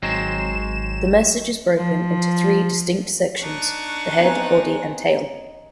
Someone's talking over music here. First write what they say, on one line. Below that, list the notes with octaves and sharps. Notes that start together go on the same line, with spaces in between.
The message is broken into three distinct sections: the head, body and tail.
G#1 F#3 G#3 C4 E7
F3
D4 D#4 C#6 F#6
B3 C4 D#5 G#5 A#5